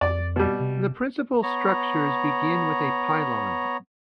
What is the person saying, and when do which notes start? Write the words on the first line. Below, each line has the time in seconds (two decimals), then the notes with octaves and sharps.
The principal structures begin with a pylon.
0.01 F2 D5
0.36 B2 G3
0.60 C3
1.43 B3 C#5 A#5